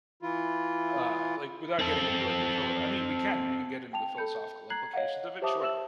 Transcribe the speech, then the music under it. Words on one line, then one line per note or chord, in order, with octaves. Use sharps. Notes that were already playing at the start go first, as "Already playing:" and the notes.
uh, like, without getting into, like, the philo I mean, we can we can get into the philosophical implications of it, sure,
E3 E4 F4
C4 A4
G5 A5 F7
A4 B5 G6 C#7
A#5 F#6 G#6 C7 F#7
C#5 D#5 F5 F#5
G4 C5 E5 A5 D6 D#6
E5 E6 E7 F#7